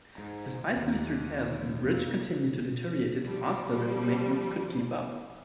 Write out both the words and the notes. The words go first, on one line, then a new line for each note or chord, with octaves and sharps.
Despite these repairs, the bridge continued to deteriorate faster than maintenance could keep up.
G#2
D#2
F2
F3 G3